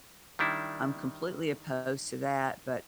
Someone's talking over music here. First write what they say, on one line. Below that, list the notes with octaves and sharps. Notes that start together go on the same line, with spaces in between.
I'm completely opposed to that, but
D#3 G3 D4 E4